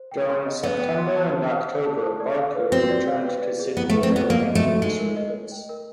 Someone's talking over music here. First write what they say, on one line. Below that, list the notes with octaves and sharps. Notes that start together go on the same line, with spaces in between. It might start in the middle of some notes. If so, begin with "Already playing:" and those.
During September and October, "Barcoo" returned to Sydney for maintenance refits.
Already playing: C5
G5
C6
D#5
B3 B4
G5
C6
A5
C5
F5
C5
A5
C5
D5
F5
B4
C4 F#4
D5
F5
B4
D5
G#4
B3 E4
A3
B4
C4
B3 D5
A#3 A#4
D#5
A3
F#4
G#3 D#4
A#4
D#5
D#5
G5
A#4